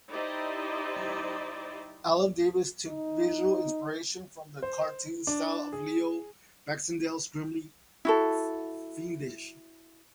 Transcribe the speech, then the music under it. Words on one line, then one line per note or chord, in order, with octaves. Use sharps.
Alan Davis took visual inspiration from the cartoon style of Leo Baxendale's "Grimly Feendish".
D#4 E4 G4 C5 D5 D#5
D#4
C5
D4
G#4
E4 F#4 A4